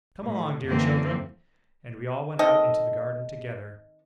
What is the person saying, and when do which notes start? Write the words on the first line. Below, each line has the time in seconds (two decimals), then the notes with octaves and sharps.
"Come along, dear children!" And we all went out into the garden together.
0.21 A2
0.66 F#2 D3 E3 A#3 C4
2.39 D#3 C4 A4 D#5